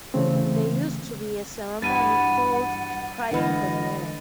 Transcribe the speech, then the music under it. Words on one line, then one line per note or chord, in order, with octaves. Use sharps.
There used to be a ceremony called "crying the mare".
C#3 E3 A3 C4
G2 B2 E3 F#5 A6 D#7
G2 D3 E3 G#3 D#5 F#5